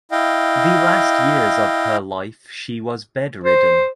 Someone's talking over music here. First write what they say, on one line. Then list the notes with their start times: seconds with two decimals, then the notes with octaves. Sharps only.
The last years of her life she was bedridden.
0.11 E4 D#5 F5 G5
3.44 C5